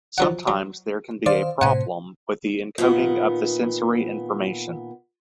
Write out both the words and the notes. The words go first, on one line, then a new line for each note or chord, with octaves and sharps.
Sometimes there can be a problem with the encoding of the sensory information.
F3 F#3 F#5
F#3
D#3 C5 D5 F5
A2 C3 C5 F#5 G#5
A#2 D#3 B3